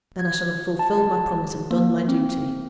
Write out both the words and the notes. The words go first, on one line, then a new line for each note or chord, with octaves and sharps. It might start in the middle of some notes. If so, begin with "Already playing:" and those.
Then I shall have fulfilled my promise, and done my duty.'
G#6
A5
A#3
C4